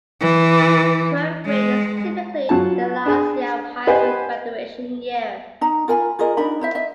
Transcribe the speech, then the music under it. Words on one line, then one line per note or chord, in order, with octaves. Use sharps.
Twelfth grade is typically the last year of high school; graduation year.
E3
G#3
F#3 F4 A5
D4 G#4
G4 B4 C5 D#5 F#5 G#5
D#4 A#5
F4 A#4 G#5 B5
F4 G#4 A#4 D#5
D4 D#4 A#4 B5
E4 C5 E5
D#5 E5